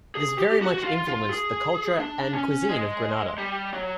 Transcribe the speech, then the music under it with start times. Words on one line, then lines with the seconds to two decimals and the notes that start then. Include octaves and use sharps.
This very much influenced the culture and cuisine of Grenada.
0.15 G#4
0.39 G4
0.51 G4
0.62 F#4
0.78 F#4
0.84 F4
1.08 F4
1.30 G#4
1.99 D4
2.34 C#4
2.69 G#3
3.38 G3
3.73 F#3